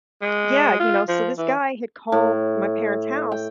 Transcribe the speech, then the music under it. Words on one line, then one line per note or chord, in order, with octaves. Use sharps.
Yeah, you know, so this guy had called my parents' house
G#3
F4
F3
E3
A2
G5